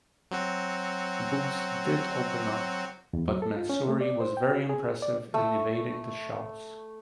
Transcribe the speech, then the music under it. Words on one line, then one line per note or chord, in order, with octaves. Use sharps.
Booth did open up but Mansouri was very impressive in evading the shots.
F#3 C4 F#4
E2
F#3
A4
F4
C#4
A3
D5
C5
G5
F#4
G#4
D5
A3 E6